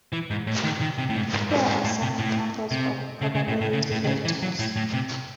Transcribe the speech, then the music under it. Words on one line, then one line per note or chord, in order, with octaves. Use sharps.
Here are some examples of probability vectors.
E3
G#2
A2
D#3
D#3
C3
A2
G#2
G#2
G#2
G#2
A2
C3
A2
C3
C#3
C#3
A2
A2
C#3
A2
D#3
C#3
E3
F#3
A2
A2
C3